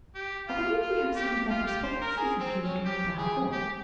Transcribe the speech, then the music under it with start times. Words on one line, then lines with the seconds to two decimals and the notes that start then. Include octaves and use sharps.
I believe, we have some of their prospectuses, if you would like to have one.'
0.15 G4
0.48 F4
0.82 F4
1.16 G4
1.50 F4
1.67 G4
1.83 C5
2.01 A#4
2.17 G#4
2.40 C4
2.62 C#4
2.85 G4
3.18 G#4
3.52 G4